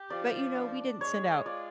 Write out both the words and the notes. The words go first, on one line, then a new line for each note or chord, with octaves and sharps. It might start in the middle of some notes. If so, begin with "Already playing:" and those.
but, you know, we didn't send out
Already playing: G4
F3 D5
D4
G#3 C#5
F4 D5